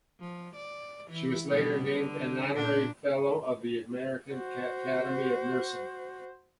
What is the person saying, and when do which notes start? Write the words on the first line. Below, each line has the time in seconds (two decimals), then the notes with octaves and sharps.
She was later named an honorary fellow of the American Academy of Nursing.
0.20 F3
0.56 D5
1.08 E3 E4
1.49 B2 G3 B3
1.93 D3
2.56 A#2 D4
4.33 F#4 C5